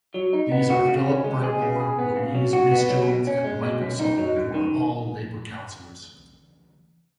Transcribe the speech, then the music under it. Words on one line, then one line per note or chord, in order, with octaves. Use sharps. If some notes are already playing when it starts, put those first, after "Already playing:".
These are Phillip Brightmore, Louise Reecejones and Michael Sullivan, who are all Labour councillors.
F#3
D#4
B3
F#4
C#3
C#4
G#3
G#4
C#3
G#4
B3
C#3
F#3
F#4
B3
F#3
B2
C#4
G#3
B2
F#2
D#4
F#3
F#2
D#3